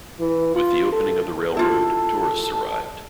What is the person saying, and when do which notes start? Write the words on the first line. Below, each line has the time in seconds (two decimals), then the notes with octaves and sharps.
With the opening of the railroad, tourists arrived.
0.20 E3
0.55 F4
0.92 A4
1.57 E4 F4 A4